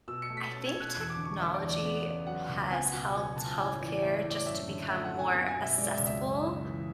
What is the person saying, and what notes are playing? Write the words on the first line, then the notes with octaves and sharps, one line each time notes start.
I think technology has helped health care just to become more assessable.
B2 E6
C#7
A3
B6
C#4 A6
G#6
B2
F#6
G#6
E2 F#6
D6
D3
C#6
A3 E5
D5
E2
D5
B3
C#3
F#3 F#5
C#2
B3 G#5
B2 F#5
F#3 G#5
C#2 A5
A5
A2 G#5
E3
D5
A3 E5
D5
A2
D5
F#2 E5
D3
A3 E5
F#5
F#2
G#5
B3
G#5
B2
E5
G#3 D5
E5
C#2
E5
F#2
C#3
E3